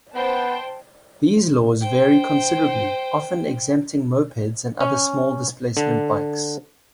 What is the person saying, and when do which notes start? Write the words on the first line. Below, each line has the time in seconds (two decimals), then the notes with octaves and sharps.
These laws vary considerably, often exempting mopeds and other small-displacement bikes.
0.16 B3 C5 G5 A5
1.81 C5 G5
4.80 C#4
5.77 D3